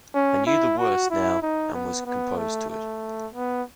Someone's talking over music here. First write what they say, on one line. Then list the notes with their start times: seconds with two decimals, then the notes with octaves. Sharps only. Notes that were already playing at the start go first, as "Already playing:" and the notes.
I knew the worst now and was composed to it.
0.15 C#4
0.46 E4
0.78 F#4
1.10 E4
1.42 D#4
1.74 B3
2.06 B3
2.37 A3
2.70 A3
3.34 B3